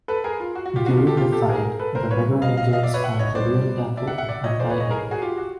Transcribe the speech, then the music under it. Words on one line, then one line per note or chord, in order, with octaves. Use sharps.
During the fight, the Megarangers find the real Dappu and untie him.
A4 B4
G#4 A#4
F4
F#4
F#4
F4 G4
D#3 G#3 B3 F#4
F4 G4
G4 A4
F4 G4
G4 A4
G#4 A#4
A4 B4
A#4 C5
D3 G3 B3 B4 C#5
D#5 F5
D#5 F5
E5
D#5 F5
D5 E5
B4 C#5
E5 F#5
C#5 D#5
B2 G3 B3 C5 D5
D5 E5
E5 F#5
E5 F#5
D5 E5
C#5 D#5
E3 A3 C4 C5 D5
B4 C#5
C#5 D#5
G#4 A#4
F#4 G#4
F4 G4
F#4